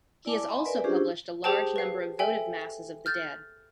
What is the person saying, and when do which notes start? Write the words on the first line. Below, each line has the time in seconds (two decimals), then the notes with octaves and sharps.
He has also published a large number of votive masses of the dead.
0.25 E4 D5 G#5 A5 D6
0.49 D#5 E5 F#5 G#5 B5 C6
0.65 A#4 B4 D5 E5 G#5
0.84 C#4 D4 F4 G4 G#4 C5
0.98 E4
1.44 G4 G#4 C5 G5 A5
1.76 B4 F5
2.19 A4 E5 G5 G#5
3.06 F6 G6 A6